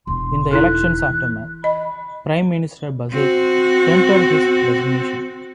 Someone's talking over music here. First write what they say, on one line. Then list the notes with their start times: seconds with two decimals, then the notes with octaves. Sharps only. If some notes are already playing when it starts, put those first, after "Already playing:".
In the election's aftermath, Prime Minister Buzek tendered his resignation.
0.07 E1 D4 C6
0.51 D#4 E4 A4 F#6
1.10 E3
1.64 D#5 B5
3.12 C4 F#4